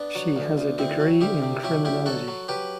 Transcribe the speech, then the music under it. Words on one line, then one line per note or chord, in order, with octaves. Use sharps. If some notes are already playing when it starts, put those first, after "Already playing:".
She has a degree in criminology.
Already playing: B3 D4
F#3
D2
D2
D2 C4 E4
F#3
D2 E4 G4
C3
F#3 E4 G4
D2 E4 G4
F#3 F#4 A4
F#3
F#3 G4 B4